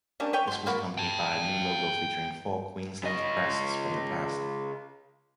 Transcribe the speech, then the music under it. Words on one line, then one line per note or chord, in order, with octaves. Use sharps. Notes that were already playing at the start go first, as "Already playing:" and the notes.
This was accompanied by a new logo featuring four Queensland crests from the past.
G3 A#3 C#4 D4
B4 C#5 G5
B2 C6
A#3 B3 F#4 B5
G5 A5
C#3 D#5